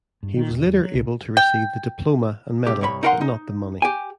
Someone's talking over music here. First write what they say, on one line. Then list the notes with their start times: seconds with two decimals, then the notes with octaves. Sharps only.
He was later able to receive the diploma and medal but not the money.
0.23 G2
0.37 D#3
0.49 E1
0.64 E2
0.81 F#3
0.94 C2
1.37 G5
2.67 C2 G4
2.81 C2 G2 C#5 B5
3.03 D#4 E4 A#4 F5 F#5 C6
3.21 D#4
3.82 G4 G5 G#5